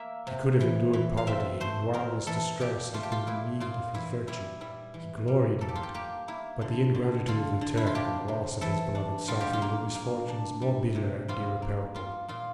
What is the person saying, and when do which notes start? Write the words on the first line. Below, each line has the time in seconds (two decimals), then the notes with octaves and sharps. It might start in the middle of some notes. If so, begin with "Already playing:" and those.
He could have endured poverty, and while this distress had been the meed of his virtue, he gloried in it; but the ingratitude of the Turk and the loss of his beloved Safie were misfortunes more bitter and irreparable.
Already playing: A#3 E5
0.27 C3
0.61 E3
0.93 E3
1.17 F5
1.27 C4 E5
1.60 A3 C5
1.94 C4 A#4
2.27 E3 A4
2.60 A#2 G4
2.94 A3 F4
3.03 G4
3.12 F4
3.27 A#2 E4
3.60 A#2 F4
3.94 E3 E4
4.27 G3 E4
4.61 G3 E4
4.94 E3
5.28 G3
5.61 A#3 A4
5.68 G4
5.75 F4
5.83 G4
5.94 A#3 G4
6.28 A#3 E4
6.61 D3
6.95 D3
7.27 D3 F4
7.61 D3
7.77 E4
7.87 F4
7.95 D4 G4
8.28 C3
8.61 E3 A4
8.95 D4
9.28 G3 F4
9.41 G4
9.53 F4
9.62 A#3
9.95 A#3
10.28 D4
10.62 G3
10.95 C3
11.28 G3 F4
11.62 A#3
11.95 G3 F4
12.28 A#2 F4